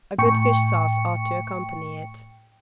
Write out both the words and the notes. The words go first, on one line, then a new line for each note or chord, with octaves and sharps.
A good fish-sauce ought to accompany it.
A2 G5 C#6 C#7